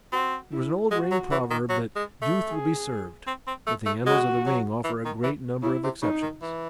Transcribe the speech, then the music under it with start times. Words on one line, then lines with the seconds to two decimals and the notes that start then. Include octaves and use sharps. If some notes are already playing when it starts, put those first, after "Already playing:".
There was an old ring proverb that "Youth will be served," but the annals of the ring offer a great number of exceptions.
0.12 C4 F#4
0.52 E4
0.91 G#3 F#4
1.11 F#3
1.31 E3
1.51 D#3
1.69 F#3
1.96 G#3
2.22 A3
2.49 G#4
3.27 C4
3.47 C4
3.67 A3
3.86 A3
4.06 G#3 F#4
4.46 F#3
4.84 E3
5.05 D#3
5.24 E3
5.63 C#3 E4
5.84 C3
6.02 C#3 D#4
6.22 D#3
6.42 E3